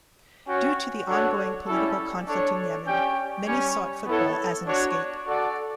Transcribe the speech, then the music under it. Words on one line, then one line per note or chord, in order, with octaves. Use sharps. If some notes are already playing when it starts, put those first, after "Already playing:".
Due to the ongoing political conflict in Yemen, many sought football as an escape.
C#4 F#4 C#5 G5
D4 F#4 A4 C#5 F#5
G3 C#4 E4 A4
D4 A4 C#5
C#4 G4 D5 G5
G3 C#4 G4 C#5
B3 E4 A4 C#5
D4 F#4 C#5
F#4 A4 D5 F#5